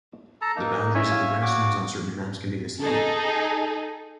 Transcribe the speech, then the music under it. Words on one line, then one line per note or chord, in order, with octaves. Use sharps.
The boundaries of the grasslands on certain maps can be misleading.
A4 A5 A#5
A#3 D#4
A2 C#4 E4 C#5 E5 G#5
F5
F#4 D6
D#4 G#4 A4